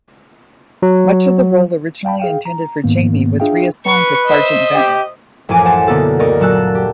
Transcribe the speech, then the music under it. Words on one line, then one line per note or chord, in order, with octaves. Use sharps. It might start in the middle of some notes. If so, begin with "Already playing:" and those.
Much of the role originally intended for Jamie was reassigned to Sergeant Benton.
F#3
F5 G5 A5 B5
G#4 F5 G5
A#5
G#2 D#3 A#3 B3
D4 F4 G#4 E5 F5 G5
B4 C#6
C5 D#5 E5
G4
A1 F#2 F3 G#5 D6
C5 F#5 A5
B2 D3 A#3 B3 F#4 A4
D2 A#4 D5 D#5 C#6
A#2 F#3 F#4 A5 E6 F#6
G4